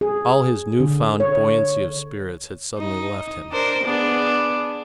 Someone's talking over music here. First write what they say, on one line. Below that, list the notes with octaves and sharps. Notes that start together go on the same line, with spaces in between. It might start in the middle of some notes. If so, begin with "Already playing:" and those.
All his new-found buoyancy of spirits had suddenly left him.
G#4
D3
C#5
D#4
D4 A#4 C5
B3 D4 G#4